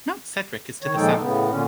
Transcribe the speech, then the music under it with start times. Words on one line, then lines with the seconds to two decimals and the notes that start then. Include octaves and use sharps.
Mount Sedgwick is to the south.
0.82 D#3 C#5
0.97 A#2 F3 G#3 D#4 A4 G5
1.20 A2 C#3 B3
1.51 A#2 D3 C#4